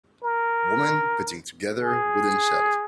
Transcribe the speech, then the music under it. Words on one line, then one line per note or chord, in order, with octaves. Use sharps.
Woman putting together wooden shelf.
A#4
G#4